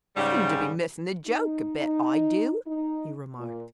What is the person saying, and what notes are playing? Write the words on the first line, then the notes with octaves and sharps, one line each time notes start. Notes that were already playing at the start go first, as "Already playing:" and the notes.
"Seem to be missing the joke a bit--I do!" he remarked.
G#2 C#3 G3
D#4
D#4
D#4
A#2